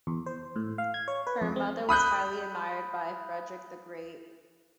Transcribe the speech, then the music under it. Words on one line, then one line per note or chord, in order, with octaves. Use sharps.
Her mother was highly admired by Frederick the Great.
E2
C5
A2
F5
G#6
C#5
B4
F2
C4
B5 D#6 F#6 G6